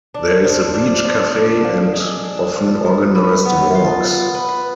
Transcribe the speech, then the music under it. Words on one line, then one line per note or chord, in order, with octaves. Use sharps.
There is a beach cafe and often organised walks.
D4
F3
D4
F3
D4
F3
G#3
D4
F3
F3
B4
B3
F4
B3
B4